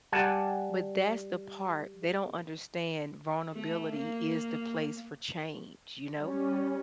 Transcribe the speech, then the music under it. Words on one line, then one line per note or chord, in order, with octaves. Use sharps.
But that's the part, they don't understand vulnerability is the place for change, you know?
G3 F#5 G#5 A5
A3
A#3
G3 C#4